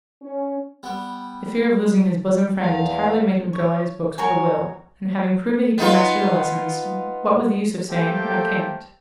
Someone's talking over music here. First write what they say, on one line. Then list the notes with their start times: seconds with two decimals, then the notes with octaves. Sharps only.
The fear of losing his bosom friend entirely made him go at his books with a will; and having proved that he could master the lessons, what was the use of saying "I can't?"
0.22 C#4
0.83 G3 B3
2.63 E2 F5
3.53 C#5
4.18 F#4 A#4 C#5 G#5
5.78 B3 D#4 F4
7.90 A3 A#3 G4 A4 C5 G5